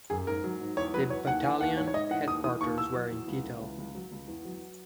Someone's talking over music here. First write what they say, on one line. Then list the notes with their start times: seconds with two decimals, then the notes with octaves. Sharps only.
The battalion headquarters were in Titel.
0.10 F#2 G#4
0.27 G#2 A#4
0.44 F#3
0.60 G#2
0.77 E2 C#5
0.94 F#3 B4
1.10 E2 C#5
1.27 D#2 F#5
1.44 E3 G#5
1.61 D#2 F#5
1.77 G#2 C#5
1.87 C#5
1.94 G#2 D#5
2.11 E3 F#5
2.28 D#2 D#6
2.44 E3 D#6
2.61 D#2 C#6
2.77 E2 E6
2.95 F#3
3.11 E2
3.28 C#2
3.44 E3
3.61 C#2
3.78 C#2
3.95 F#3
4.11 C#2
4.28 E2
4.45 F#3